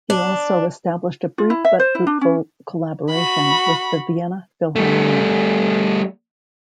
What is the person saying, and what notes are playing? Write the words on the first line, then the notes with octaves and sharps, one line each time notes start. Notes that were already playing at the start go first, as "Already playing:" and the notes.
He also established a brief but fruitful collaboration with the Vienna Philharmonic.
D4
F4
E4
E5
C5
E4
D4
C#4
F#4 B5
G3 A3